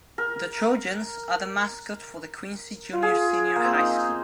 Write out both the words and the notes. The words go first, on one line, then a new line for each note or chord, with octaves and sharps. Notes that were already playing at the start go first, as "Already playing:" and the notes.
The 'Trojans' are the mascot for the Quincy Junior-Senior High School.
A#4
F4
G#4
A#3
C4
D#4